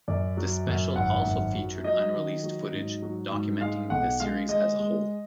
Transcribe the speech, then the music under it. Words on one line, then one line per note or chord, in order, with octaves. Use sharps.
The special also featured unreleased footage documenting the series as a whole.
F#2 D5
F#3
F#2
G#1 F#5
F#2
F#3
F#3 D#5
D#3
F#3
G#2
F#3
G#2
G#3 F5
B1 F#5
G#3 F5
G#3 D#5
G#3